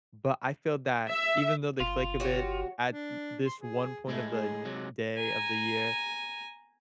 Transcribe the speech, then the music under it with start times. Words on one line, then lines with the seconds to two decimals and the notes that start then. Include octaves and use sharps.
but, I feel that even though they flake a bit at u this one point of, like, day of the year,
1.08 E5
1.80 G1 F4
2.20 F#4 G4 C#5
2.90 D4
3.46 C6
3.61 G#4
4.08 A2 G#3 A3
4.31 G#4
4.65 C3 F#3 G#3
5.17 G#5 A#5